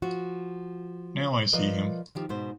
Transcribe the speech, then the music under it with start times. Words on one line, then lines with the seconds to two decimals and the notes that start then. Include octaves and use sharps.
Now I see him.
0.02 F3 F4 F#4
1.53 F3 A#4 B4 D5 D#5
2.15 D#3 F3 G4
2.29 G#2 B2 C5